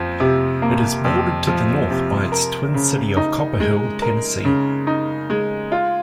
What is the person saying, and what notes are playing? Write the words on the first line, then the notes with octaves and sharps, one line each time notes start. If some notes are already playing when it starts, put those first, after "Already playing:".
It is bordered to the north by its twin city of Copperhill, Tennessee.
Already playing: F2 F3
C3
A#3
F2
F3
C3
A#4
C#3
D#4
G#3
A#4
C#3
D#4
G#3
F4